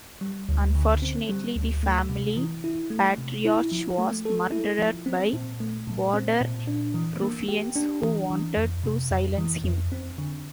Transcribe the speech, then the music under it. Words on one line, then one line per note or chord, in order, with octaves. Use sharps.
Unfortunately, the family patriarch was murdered by Border Ruffians who wanted to silence him.
G3
D2
D3
C4
G3
D2
A3
C3
E3
E4
A3
C3
E4
F3
A3
A4
E4
F3
C4
A#2
A3
A#2
C4
A#2
D4
E3
A#3
G4
D4
E3
E3
F2
C3
F2
E3
F2
C4
D3